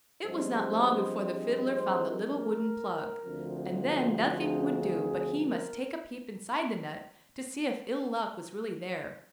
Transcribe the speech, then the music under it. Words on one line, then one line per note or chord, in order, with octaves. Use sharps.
It was not long before the Fiddler found the little wooden plug, and then nothing would do but he must take a peep inside the nut to see if Ill-Luck was really there.
G2 F3 G#3 C4 C5
C5
A#4
D2 D3 F3 C4
G#4
G#4
A#4